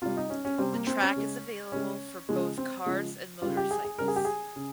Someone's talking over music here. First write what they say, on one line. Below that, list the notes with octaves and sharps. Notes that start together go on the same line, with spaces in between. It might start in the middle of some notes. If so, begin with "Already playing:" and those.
The track is available for both cars and motorcycles.
C3 G3 F4
D#4
C#4
C#4
C3 G3 C4
A#3
C4
C#4
C#3 G#3
C#3 G#3 C#4
C#3 F3 G#3
C4
C#3 F3 G#3
C#3 G3 F4
G4
G#4
G#4
C#3 G3 A#4
G#4
G4
G#4
C#3